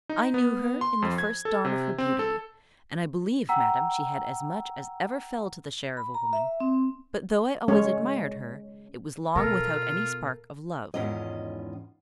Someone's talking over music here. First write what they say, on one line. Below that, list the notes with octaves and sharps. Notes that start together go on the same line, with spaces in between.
I knew her in the first dawn of her beauty; and, I believe, madam, she had as much as ever fell to the share of a woman; but, though I always admired her, it was long without any spark of love.
D#4
B3
C6
F2
G#6
A4
C3
C4
A4
F#5 G5 A#5 E6
B5
A#5
E5
C4
G#3 C#4 C#5
B2 F4 A4 A#4
E2 G#2 D#3 C#4 F4 D#5